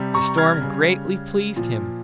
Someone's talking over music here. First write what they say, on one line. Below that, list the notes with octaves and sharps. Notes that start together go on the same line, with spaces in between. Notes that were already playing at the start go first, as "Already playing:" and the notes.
The storm greatly pleased him.
Already playing: C3 G3
A#5 C#6
F6 G#6
C#3 G3
A#2 F3